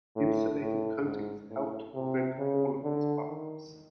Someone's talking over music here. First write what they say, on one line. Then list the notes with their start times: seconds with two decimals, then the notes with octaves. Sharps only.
Insulating coatings help to prevent all of these problems.
0.16 A2
0.61 A2
1.05 G#2
1.50 A2
1.95 C3
2.39 C#3
2.84 D3
3.28 D#3